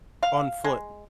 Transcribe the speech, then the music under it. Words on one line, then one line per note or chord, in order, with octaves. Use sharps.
On foot,
F5
G#3